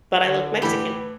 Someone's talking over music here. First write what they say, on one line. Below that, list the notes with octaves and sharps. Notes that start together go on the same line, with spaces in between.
But I look Mexican.
D3
A2 E3 G4 B4 B5